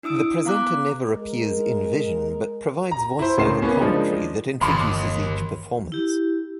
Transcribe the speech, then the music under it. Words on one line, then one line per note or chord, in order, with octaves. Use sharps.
The presenter never appears in-vision, but provides voice-over commentary that introduces each performance.
D4 E4 D#6 E6 D7
B3 F5 A#5 D6 F#6
G#3 A#4
A#5
E4 C5
C#2 A2 A#4 C6 C7 E7
A#3 B3 C#4
C#3 F3 G#3 A#3 D4 D#4
G1 D#2 E3 D#5 A5 B5 C6
E4 G4